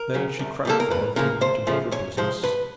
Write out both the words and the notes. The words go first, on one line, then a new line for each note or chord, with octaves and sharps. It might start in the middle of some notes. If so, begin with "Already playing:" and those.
Then she crept forth, and went about her business.
Already playing: A#4
C#3 F#3
C2
A#2 G3 A#3 A4
A#4
D#2 B4
C#3 F3 A#3 A#4
D2 C5
C#3 F3 A3
C#2 C#5
C3 F3 G#3 C5
G2 B4